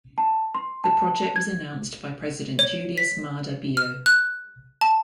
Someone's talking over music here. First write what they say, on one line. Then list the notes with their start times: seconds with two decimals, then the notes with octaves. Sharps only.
The project was announced by President Julius Maada Bio.
0.18 A5
0.55 C6
0.84 A5
1.36 G#6
2.59 C#5
2.98 B6
3.77 F6
4.06 F#6
4.81 A5